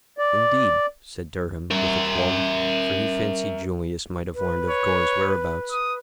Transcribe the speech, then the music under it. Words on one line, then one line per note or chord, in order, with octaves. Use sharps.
"Indeed?" said Durham, with a qualm, for he fancied Julius might have learned of Gore's whereabouts.
D5
A#4 E5
B4
C#5
D#6